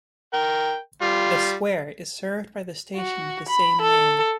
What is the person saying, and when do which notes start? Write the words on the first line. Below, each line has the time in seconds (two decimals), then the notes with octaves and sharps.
The square is served by the station with the same name.
0.33 A#4 G5
1.01 G3 F4
2.97 F#4
3.49 B5
3.82 A4